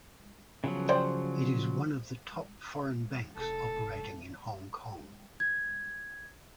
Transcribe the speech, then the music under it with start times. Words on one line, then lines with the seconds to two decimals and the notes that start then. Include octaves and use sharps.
It is one of the top foreign banks operating in Hong Kong.
0.64 C#3 F3 F#3 B3
0.89 C5 D5 G5
3.37 F1 A4
5.40 G#6